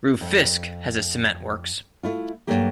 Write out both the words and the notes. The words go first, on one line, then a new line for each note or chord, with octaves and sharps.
Rufisque has a cement works.
F2
A3 E4 F4
G2 F3 F#3 A3 A#3 G4